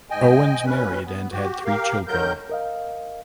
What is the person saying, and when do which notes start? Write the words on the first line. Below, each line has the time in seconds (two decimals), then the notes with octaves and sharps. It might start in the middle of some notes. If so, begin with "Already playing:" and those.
Owens married and had three children.
0.10 G#2 D#5 G5 G#5
0.65 D#2 C#4 B4
1.05 B3
1.31 F#4 G4
1.65 G4 A#4 F5
2.07 D3 D#3 F#3 A#4 G6
2.50 A#4 D#5 F5